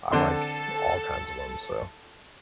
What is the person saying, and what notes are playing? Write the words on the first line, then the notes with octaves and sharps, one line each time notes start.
I like all kinds of 'em, so,
D3 C4 A4 C6